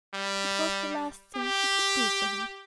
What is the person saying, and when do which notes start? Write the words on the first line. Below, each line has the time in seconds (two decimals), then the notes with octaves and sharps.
It was the last thing she could do for him.
0.14 G3
1.36 G4